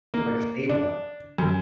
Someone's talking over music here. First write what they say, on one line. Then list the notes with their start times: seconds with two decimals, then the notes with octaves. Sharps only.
Like a saved one.
0.14 A#3
0.69 D4
1.38 F#2